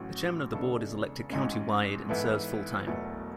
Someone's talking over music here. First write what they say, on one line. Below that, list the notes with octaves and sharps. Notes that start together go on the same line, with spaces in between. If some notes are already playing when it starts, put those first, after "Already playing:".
The chairman of the board is elected county-wide and serves full-time.
Already playing: A1 A2 F#3 C#4
E2 C#3 G#3 D4 A4
A1 G#2 G#3 C#4
G#2 E3 B3 E4 A4
E1 E2 B2 F#3 A3